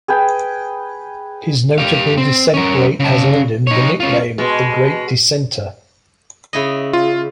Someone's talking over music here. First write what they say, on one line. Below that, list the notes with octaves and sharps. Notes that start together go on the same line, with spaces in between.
His notable dissent rate has earned him the nickname the "Great Dissenter".
G#4 B4 G5
G4 F5
C4
C#4 A#4
C#3 A5
D#4 C#5
C#4 F4
B2 G#3
C#3 E4 D#5
F4